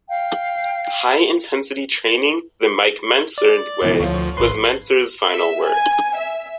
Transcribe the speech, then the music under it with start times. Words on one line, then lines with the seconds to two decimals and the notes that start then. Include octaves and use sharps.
"High-Intensity Training the Mike Mentzer Way" was Mentzer's final work.
0.09 F5 G5
3.38 D5
3.81 C#2 B2 E3
4.00 D2 F3 C#5 F5 C#6
4.37 G#1 B4 C6
5.31 E5
5.65 G#5
6.17 E5